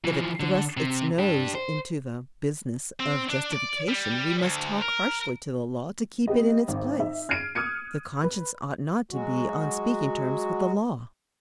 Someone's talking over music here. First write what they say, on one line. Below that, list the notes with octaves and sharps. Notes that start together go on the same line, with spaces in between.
If it thrusts its nose into the business of justification we must talk harshly to the Law to keep it in its place. The conscience ought not to be on speaking terms with the Law.
E3 F3
D3
C3
D4 G4
C5
C4
D4
D5
G3
D2
A#4
B3 G4 D#5
G#1
D#4 E5
F6 G#6 C7 D7 D#7
D#6 F6 F#6 G#6 C#7 D#7
B4
F#3 G#3 F#4